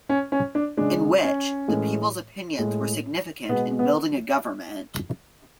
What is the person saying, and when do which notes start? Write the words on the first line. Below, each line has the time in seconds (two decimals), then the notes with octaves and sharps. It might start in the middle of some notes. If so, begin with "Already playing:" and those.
In which, the people's opinions were significant in building a government.
0.09 C#4
0.32 C#4
0.55 D4
0.77 C#3 G#3 D4
1.23 C#4
1.68 A2 E3 G#3
2.58 A2 G#3
3.49 B2 G#3 B3
3.79 B3